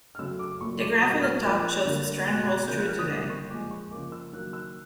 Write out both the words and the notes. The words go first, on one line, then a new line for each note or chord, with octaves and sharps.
The graph at the top shows this trend holds true today.
F6
C#3 F#3 A3 E6
D6
A#2 F#3 A3 C#6
D6
B2 G3 A#3 D#6
F6
A#2 F3 A#3 F#6
D3 G3 A#3
B2 G#3 F#6
G#6
C#3 F3 A#3 G6
F#6
F6
D#6
D3 G3 A#3 D6
C#6
A#2 F3 G#3 D6
C#6
C#3 F3 A#3 D6
E6
D#3 F#3 A#3 F#6
E6